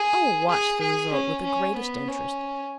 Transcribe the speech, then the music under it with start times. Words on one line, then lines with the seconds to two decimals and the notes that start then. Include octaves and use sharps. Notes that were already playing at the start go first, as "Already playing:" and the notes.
I will watch the result with the greatest interest.
Already playing: G#4
0.49 G#4
0.80 G#4
1.12 C#4
1.44 C#4
1.76 B3
2.08 C#4